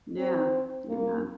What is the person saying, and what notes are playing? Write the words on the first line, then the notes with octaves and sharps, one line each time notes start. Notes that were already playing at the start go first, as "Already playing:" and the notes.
Yeah, yeah.
C4
A#3